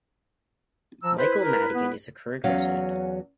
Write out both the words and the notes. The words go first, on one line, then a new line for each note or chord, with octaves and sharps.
Michael Madigan is a Current resident.
F3 A#5 E6
E4 B4 C5
A#4
B3
E2 F#3 C#4 C#5 F5